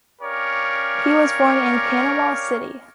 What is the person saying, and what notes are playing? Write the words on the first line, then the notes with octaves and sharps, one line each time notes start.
He was born in Panama City.
C#4 G4 A#4 C#5 D5 F5